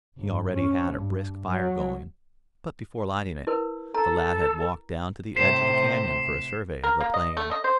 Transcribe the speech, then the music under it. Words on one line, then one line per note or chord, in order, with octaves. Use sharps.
He already had a brisk fire going, but before lighting it, the lad had walked down to the edge of the canyon for a survey of the plain.
G1
C#4
G2
F#3
E4 A#4 B4
A4 A#5
A2 C3 C5 B6 C7 E7
A#4
A#3
D#5
A3
D#5
C5